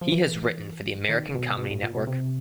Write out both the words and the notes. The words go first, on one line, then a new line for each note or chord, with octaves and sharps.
He has written for the American Comedy Network.
F3
E3
D#3
B2
B2
A2
A#2
B2
C3